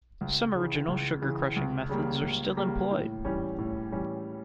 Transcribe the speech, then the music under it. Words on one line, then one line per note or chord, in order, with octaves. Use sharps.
Some original sugar-crushing methods are still employed.
C#2
C#3 E3
C#2
C#3 E3
C#2
C#3 G3 A#3
C#2
C#3 G3 A#3
A2
E3 G3 C#4
A2
E3 G3 C#4